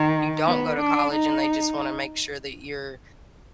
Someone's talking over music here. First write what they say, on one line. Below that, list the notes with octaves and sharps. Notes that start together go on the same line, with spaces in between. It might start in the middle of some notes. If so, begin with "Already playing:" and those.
you don't go to college, and they just wanna make sure that you're,
Already playing: D#3
B3
D4
D#4